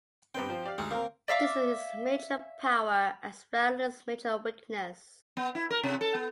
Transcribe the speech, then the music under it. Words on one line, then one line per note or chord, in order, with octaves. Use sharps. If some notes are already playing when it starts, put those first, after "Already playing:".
This is its major power as well as its major weakness.
G2 B3 C4 G5
F3 C5
G4 D5 F5
D2 G#3 D#4
A#3 C4 A#4
D5 E5 F5 D6
B3
E4
A#4
C3
A4
B3